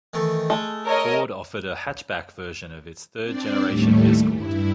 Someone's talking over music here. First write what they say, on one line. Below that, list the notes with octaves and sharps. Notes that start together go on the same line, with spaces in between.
Ford offered a hatchback version of its third-generation Escort.
D#3 E3 A3
G#3 A3
A#4 C#5 D#5
C4 D4 D5
D#2 A2 G3 A3
G2 E4